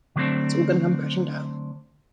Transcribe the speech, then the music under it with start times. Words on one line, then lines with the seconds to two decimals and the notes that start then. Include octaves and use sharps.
It's all going to come crashing down.
0.16 D3 F#3 G3 A3 C4 D4